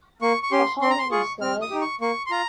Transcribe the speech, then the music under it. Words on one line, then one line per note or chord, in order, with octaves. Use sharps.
For how many, sir?
A#3 C#6
C#6
C#4 G4 C6
C4 C6
A#5
C6
F4 G#4 C#6
C4 F6
D#6
D#4 G4
C#6
A#3 C#6
C6
F4 A#5